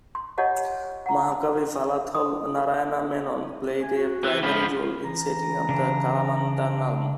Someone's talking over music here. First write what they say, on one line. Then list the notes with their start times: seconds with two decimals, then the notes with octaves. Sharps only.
Mahakavi Vallathol Narayana Menon played a primary role in setting up the Kalamandalam.
0.15 C6
0.38 F4 G4 C#5 D#5 F#5 A5
1.06 F#5 A#5
2.15 D#6
3.82 G#5
3.96 F#4
4.24 E3
4.43 G#2 F3 B5
5.04 E3 A#5
5.69 C#3 D4